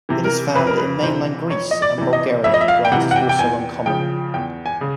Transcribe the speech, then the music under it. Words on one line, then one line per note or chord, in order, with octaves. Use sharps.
It is found in mainland Greece and Bulgaria, where it is also uncommon.
C3 E3
A#4
F2 B4
A#4
B4
C3 E3 C5
F2 C#5
D#5
D5
C3 E3
D#5
F2 E5
D#5
E5
F5
G5
C3 E3 F#5
F#5
G5
G5
E2 G#5
C#3 F3 G5
E2 G5
G#5
C#3